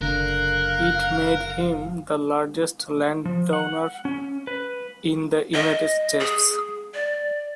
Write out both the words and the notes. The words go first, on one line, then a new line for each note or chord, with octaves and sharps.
It made him the largest landowner in the United States.
F#1 D3 A#4 F5 F#6
F3
F#5
C#4
B4
D#5
G#4
D5